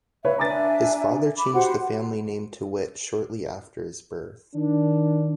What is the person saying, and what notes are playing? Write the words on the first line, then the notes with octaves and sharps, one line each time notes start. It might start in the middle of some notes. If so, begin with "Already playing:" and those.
His father changed the family name to Witt shortly after his birth.
B4 C#5 E5 F5
D4 E5 G#5 A#5 D6 A6
B5 D6
F#4 G4 C5 F#5
D#3 D4